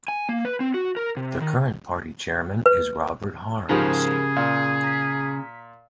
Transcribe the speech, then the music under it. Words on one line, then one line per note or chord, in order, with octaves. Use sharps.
The current party chairman is Robert Harms.
G#5
A#3
B4
C4
F#4
A#4
C3
D#3
B4
G#2 C#3 F3 G4 G#4 A#4 B5
A#2 G6
A#5 B6